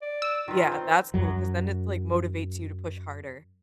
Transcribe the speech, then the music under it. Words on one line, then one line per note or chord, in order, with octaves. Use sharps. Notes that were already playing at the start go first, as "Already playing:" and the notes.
Yeah, that's cool, 'cause then it's, like motivates you to push harder.
D5
E6
D#3 F4 B4
C4
F#2 F#3